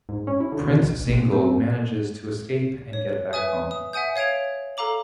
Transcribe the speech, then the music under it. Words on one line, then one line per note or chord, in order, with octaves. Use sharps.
Prince Zingle manages to escape and get back home.
G#2
C#4
E4
D3
B2
B1
A1
C3
C4
C#5
B4 E5 G#5 D#6
D#6
E5 F#5 G#5 D#6 G6
C#5 F5 G#6 D7 F7
A4 F5 A#5 D6 F#7